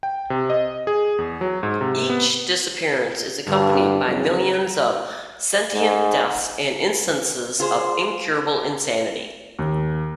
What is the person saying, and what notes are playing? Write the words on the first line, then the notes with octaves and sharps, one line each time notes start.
Each disappearance is accompanied by millions of sentient deaths and instances of incurable insanity.
G5
C3
D#5
G#4
E2
F#3
G#2
C3
B3
G2 D3
E2 C#3 F#3
G#2
F4 G#4 C5
D#2